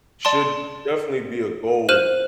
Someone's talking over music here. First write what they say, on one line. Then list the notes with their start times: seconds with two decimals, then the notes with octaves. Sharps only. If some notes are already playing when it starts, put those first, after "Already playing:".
should definitely be a goal
0.25 D5 A5 C6
1.89 C5 F6 F#6 D#7 E7 F#7